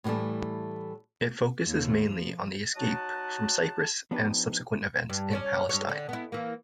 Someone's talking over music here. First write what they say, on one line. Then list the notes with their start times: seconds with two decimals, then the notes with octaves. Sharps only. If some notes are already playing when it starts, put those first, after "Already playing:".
It focuses mainly on the escape from Cyprus and subsequent events in Palestine.
0.04 A2 D3 E3 G3 A3
1.67 D#2
2.10 F3
2.76 F#3 D#4 F#4 D#5 F#5 A5
4.11 F3 B3 D4 D#4 G4 B4
5.10 G2
5.31 C#4 C#5 D5
5.69 G2 C#5
5.89 D3
6.09 B3 E4
6.32 E3 A#3